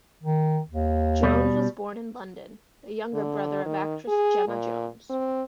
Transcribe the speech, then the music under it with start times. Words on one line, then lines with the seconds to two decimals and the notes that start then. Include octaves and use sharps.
Jones was born in London, the younger brother of actress Gemma Jones.
0.23 D#3
0.70 D#2
1.23 B2 G3
3.14 D3
3.66 D#3
4.08 G#4
4.48 A#2
5.10 C4